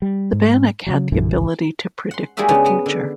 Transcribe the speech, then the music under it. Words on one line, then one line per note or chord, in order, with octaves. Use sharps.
The Bannik had the ability to predict the future.
G3
G#2
C#3 E3 F#3
A#1 F#2 D3 E3
G#1 C#2
F#5 C6
G3 G#3 A#3 D#4 F#4 E5
C#3 G#3 B3 D4 D#4
B3
D3